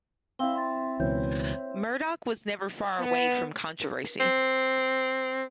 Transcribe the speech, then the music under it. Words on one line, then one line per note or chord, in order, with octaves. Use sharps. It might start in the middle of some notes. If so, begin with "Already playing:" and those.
Murdoch was never far from controversy.
C4 E4 F5 E6 G7
C6 A6
C#2 B2 E3 C5 C#5 G6
B3
C4